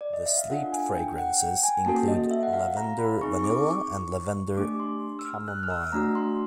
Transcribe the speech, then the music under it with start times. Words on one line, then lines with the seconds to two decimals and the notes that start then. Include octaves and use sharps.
The sleep fragrances include, lavender vanilla and lavender chamomile.
0.01 D5
0.13 D#5
0.26 E5
0.38 F5
0.50 D4 F4 A4 F#5
0.72 G#5
0.96 G5
1.13 G5
1.18 F#5
1.40 G5
1.63 G#5
1.86 A#3 C#4 F#4 A4 A5
2.08 D#5
2.31 E5
2.43 F#5
2.53 F5
2.77 A#5
2.99 B5
3.21 C4 D#4 G#4 C#6
3.39 C#6
3.44 D6
3.66 C#6
4.57 A3 D4 G4 D6
4.80 C6
5.19 E6
5.25 F6
5.48 F#6
5.63 F6
5.70 E6
5.92 A3 D4 F#4 A#5
6.15 C6